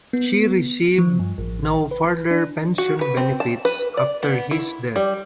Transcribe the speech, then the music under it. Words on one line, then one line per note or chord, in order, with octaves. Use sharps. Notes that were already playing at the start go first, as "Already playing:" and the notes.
She received no further pension benefits after his death.
B3
F3
G2
A1
B4
D4
F#4
B4
C4
A5
B4
D5
B3
E4
G3